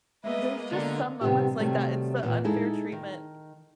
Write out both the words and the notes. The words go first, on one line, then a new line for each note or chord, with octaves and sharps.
There's just some moments like that, it's the unfair treatment,
G#3 A#3 B3 B4 D#5 E5
D3 F4 A#4 D5
C3 D#3 G3 B3 D4 G4
C3 D#3 F#3 G3 A3
E2 A#2 E3 B3
G#3 D#4 E4 G#4 A4
D#3